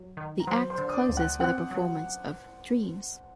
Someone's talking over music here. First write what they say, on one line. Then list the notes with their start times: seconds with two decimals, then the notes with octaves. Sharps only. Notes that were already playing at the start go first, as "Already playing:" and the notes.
The act closes with a performance of "Dreams".
Already playing: F#3
0.17 D#3
0.40 A#5
0.47 F#3 C5 C6
0.70 C5 C6
0.78 D3
0.90 D#6
0.93 D5 D6
1.09 D2
1.17 F#5 F#6
1.40 C4 F#5 F#6
1.71 F#3